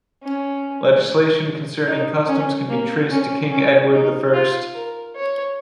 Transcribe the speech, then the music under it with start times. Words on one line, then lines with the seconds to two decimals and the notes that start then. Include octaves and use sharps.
Legislation concerning customs can be traced to King Edward the First.
0.23 C#4
1.87 D#4
2.28 C#4
2.69 A#3
3.11 C#4
3.52 C#4
3.93 D#4
4.34 F4
4.75 A#4
5.16 C#5